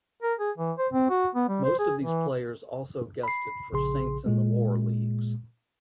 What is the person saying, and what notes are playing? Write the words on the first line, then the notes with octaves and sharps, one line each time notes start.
Most of these players also guested for Saints in the War leagues.
A#4
G#4
E3
C5
C4
F#4
B3
G3
C5
G#4
E3
B5 C7
A#1 C#3 G#4 C6
A#2 G#3